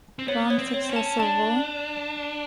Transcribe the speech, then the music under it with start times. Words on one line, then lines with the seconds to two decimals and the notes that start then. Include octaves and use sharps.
Bom Sucesso Vol.
0.19 C4
0.28 B3 C#5
0.50 C#5
0.59 C4
0.74 C#5
0.89 C#4
0.96 A5
1.19 D4 A5